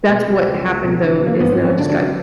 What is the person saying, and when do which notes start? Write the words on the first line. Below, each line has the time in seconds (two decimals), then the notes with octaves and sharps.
that's what happened though, is that I just got
0.08 B2
0.27 F#3
0.46 C#2
0.65 C#2
0.84 B2
1.03 D3
1.22 F#3 A#3
1.40 G#1 B3
1.52 C4
1.59 F#2
1.65 C#4
1.78 D3 D4
1.89 D4
1.97 F#3 C#4